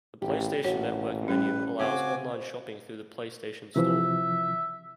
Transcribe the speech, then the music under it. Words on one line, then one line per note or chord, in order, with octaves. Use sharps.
The PlayStation Network menu allows online shopping through the PlayStation Store.
A1 G4
A1 F#4 C#5
G3 C#4 G4 B4
C#3 C4 F#4 C5 C#5 G#5 D6
C3 E3 F3 E5